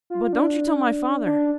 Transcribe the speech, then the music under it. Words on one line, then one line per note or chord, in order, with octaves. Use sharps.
But don't you tell my father!
F4
D4
D4